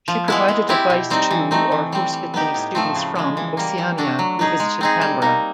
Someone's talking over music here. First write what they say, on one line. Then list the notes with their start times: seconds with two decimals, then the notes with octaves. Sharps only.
She provided advice to or hosted many students from Oceania who visited Canberra.
0.08 F3
0.28 G#3 B3 E4
0.48 G#3
0.69 C4 E4 G4
0.90 B2
1.10 G3 C4 D#4
1.31 E3
1.51 A3 C4 D#4
1.72 E3
1.92 G3 C4
2.13 G3
2.34 B3 D#4 G4
2.54 A2
2.75 F3 A3 C4
2.95 C#3
3.15 F3 G#3
3.37 E3
3.57 G3 A#3
3.78 E3
3.98 A3 D4 F#4
4.19 F#3
4.39 B3 D#4 G#4
4.60 G#3
4.81 C4 D#4 G#4
5.01 G3
5.22 A#3 D#4